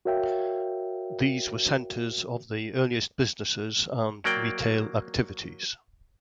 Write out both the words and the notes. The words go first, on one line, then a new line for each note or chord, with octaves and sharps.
These were centers of the earliest businesses and retail activities.
F#4 A#4 C#5 E5 F5 G5
F#3 A#3 D5 G5